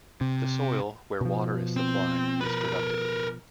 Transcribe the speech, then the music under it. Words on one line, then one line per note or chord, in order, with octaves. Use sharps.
The soil, where water is supplied, is productive.
C3
B2 F3
C4
A#4 B4